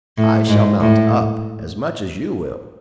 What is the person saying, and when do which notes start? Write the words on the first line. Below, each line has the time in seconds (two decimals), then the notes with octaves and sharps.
"I shall mount up as much as you will."
0.17 A2
0.49 G#2
0.81 A2